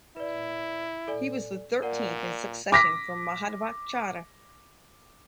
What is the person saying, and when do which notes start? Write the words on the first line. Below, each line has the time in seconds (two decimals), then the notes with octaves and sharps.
He was the thirteenth in succession from Madhvacharya.
0.16 E4 B4 D5
1.08 A4 D5 G#5
1.82 A#2 A#4 D5 F#5
2.72 D6 A#6 B6